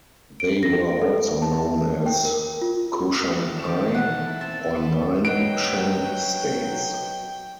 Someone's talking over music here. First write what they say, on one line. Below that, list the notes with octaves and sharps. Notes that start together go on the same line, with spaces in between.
They were also known as "Koshanpye" or "Nine Shan States".
D7
A#6
A4
A5
G5
A#4
F4
D#3 E3 A5
G4 C#6
F#5
E4
C4 E5 A5
A4 B4 C5
F#3 B4 D#5 F#5 G5 D7